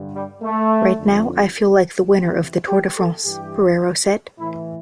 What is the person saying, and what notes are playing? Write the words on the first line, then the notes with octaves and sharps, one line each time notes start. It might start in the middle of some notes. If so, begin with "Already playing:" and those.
"Right now I feel like the winner of the Tour de France", Pereiro said.
Already playing: G2 D3
G3
A3
F2 D3
E2 C3 E3 G4
G4
A4
G2 E3 G4
A2 E3 E4